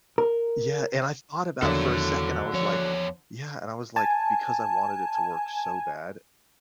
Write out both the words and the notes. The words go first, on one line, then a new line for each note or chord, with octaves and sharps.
Yeah, and I thought about, for a second, I was like Yeah. And I was like, because I wanted it to work so bad,
A#4
E2 D3 D#3 F3 F#3 A#3 A4 C#5
E2 F3 C#5
G#5 A5